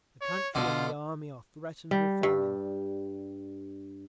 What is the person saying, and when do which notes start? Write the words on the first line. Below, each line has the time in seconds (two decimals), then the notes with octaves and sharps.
The country and the Army are threatened with famine.
0.21 C#5
0.55 B2 D3 F4
1.91 G3
2.23 G2